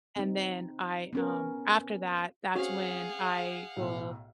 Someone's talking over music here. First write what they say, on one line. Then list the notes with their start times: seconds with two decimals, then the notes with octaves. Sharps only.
and then I, um after that, that's when I will,
0.16 C4 D#4
1.13 B3 C#4 A#4
2.56 C4 C#4 F#4 G#4 F5 F#5
3.76 B1 A2